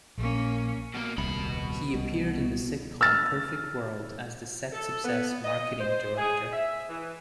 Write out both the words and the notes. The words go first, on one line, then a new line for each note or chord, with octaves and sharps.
He appeared in the sitcom "Perfect World" as the sex-obsessed marketing director.
A#1 A#3 C#4
B2 A#3
D#1 C2 B2 B5
C2
E6 F6 A6
A4
B3
D#5
C5
G#4
E5
E3